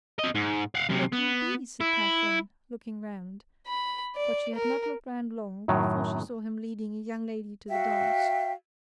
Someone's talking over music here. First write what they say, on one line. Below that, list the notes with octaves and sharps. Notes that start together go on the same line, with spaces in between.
"Where can he be?" said Catherine, looking round; but she had not looked round long before she saw him leading a young lady to the dance.
C4 D#5
G#2
F5 F#5
F#2 C3
B3
E4
B5
D5
A#4
F#2 A2 D#3 F#3
F#4 E5 F5 G5